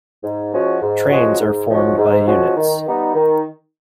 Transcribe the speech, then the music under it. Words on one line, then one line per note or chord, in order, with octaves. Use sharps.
Trains are formed by units.
G#2
F3 G#3 C#4 F#4
G#2
F3 G#3 C#4 F#4
G#2
F3 G#3 C#4 F#4
G#2
F3 G#3 C#4 F#4
D#3
G3 B3 D#4
D#3